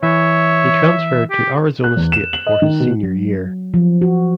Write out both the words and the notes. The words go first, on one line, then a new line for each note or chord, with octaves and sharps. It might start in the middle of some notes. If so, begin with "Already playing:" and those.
He transferred to Arizona State for his senior year.
E3 C#5 E5
G4
F#6
E2
E7
F#7
D#5
D#3
B2
F#3
F3
F#4